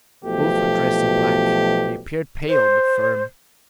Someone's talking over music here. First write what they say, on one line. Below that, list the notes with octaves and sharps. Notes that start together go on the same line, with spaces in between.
Both were dressed in black; they appeared pale, but firm.
B1 B2 F3 A3 G4
C5